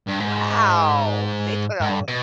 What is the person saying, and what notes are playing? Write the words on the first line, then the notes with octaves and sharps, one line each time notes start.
Wow! They put al
G2
G#2
G#2
G2
B2